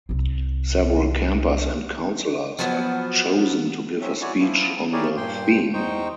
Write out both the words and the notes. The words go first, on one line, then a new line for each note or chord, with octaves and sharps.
Several campers and counselors are chosen to give a speech on the theme.
C2 C4
F3 F#3 B3
F#3 C4 C#4 E5
E4 F#4 C#5 D5 G#5
F3 B3 E4
E4 G4 G#4 A#4 C#5 D5
G2 A#2 G5 C6
E2 D#4 C5 G5 C#6